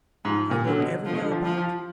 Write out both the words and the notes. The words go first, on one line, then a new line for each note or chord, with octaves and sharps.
I looked everywhere about.
G#2 F3
A#2
D3 F#3
B2
D3 F3
B2
D3
F3
F3
F3